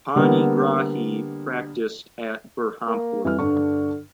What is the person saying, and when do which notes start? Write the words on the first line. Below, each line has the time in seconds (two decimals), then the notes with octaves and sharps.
Panigrahi practiced at Berhampur.
0.16 D3 G3 A#3 B3
2.87 A#3
3.24 F2 E3 G3 F6
3.39 G2 D3 D4 C#6